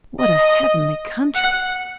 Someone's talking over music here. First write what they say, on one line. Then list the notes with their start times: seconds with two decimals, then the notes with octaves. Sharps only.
What a heavenly country!
0.20 D#5
1.35 F#5